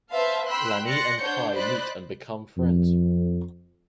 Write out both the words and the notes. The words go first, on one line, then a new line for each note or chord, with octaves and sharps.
Lani and Kai meet and become friends.
B4 C5 E5 F5 A5 C6
G5 B5 C6 E6 F#6
D5 C6 F#6 A#6 C#7
D4 C5 C#5 F#5 G6
C5 D5 D#5 B5 F#6
F2